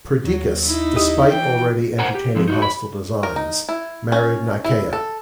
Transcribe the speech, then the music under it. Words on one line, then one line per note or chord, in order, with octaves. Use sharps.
Perdiccas, despite already entertaining hostile designs, married Nicaea.
D#2 F#3
D#4 E4
G4 D#5 D#6
E3 G5
A#4 C5 F#5 G#5 A#5
G4
D3 F3 C4
D#4 F4 F#4
B5
A#4
D#4
E4
C#4
E4
A4